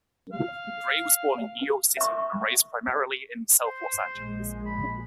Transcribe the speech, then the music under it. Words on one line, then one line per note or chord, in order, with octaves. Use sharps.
Gray was born in New York City and raised primarily in South Los Angeles.
F5
E5 C#6
C5
A#1 G#3
B5